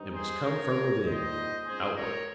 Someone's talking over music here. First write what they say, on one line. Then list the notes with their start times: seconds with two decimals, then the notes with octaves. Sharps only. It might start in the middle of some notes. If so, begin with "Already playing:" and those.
It must come from within, outward.
Already playing: G2 D#3 G#3 C4 D#4
0.12 G#4 C5
0.43 C#2 C3 F3 C4 D#4 A#4 C#5
1.04 A#2 G3 C4 D#4 C5 D#5
1.65 C#2 C#3 G#3 C4 D#4 G#4 C5
1.96 A#4 C#5